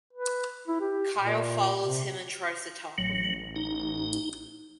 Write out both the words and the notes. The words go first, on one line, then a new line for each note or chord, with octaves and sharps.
Kyle follows him and tries to talk with him.
B4
E4
G4
A#2
C3
A1 F#3
D#4